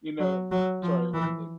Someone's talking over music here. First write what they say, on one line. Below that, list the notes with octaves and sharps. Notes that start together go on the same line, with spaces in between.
you know, sorry, I wasn't like,
F#3
F#3
F3
E3